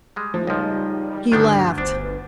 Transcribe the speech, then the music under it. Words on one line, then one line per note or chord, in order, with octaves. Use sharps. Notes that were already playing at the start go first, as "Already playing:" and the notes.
He laughed.
G3 G#3
F3 A3
C#2 F3 G3 D#4 D#5
D2 G2 D3 D#3 B3 D4 G6
G1 D4 C5
B4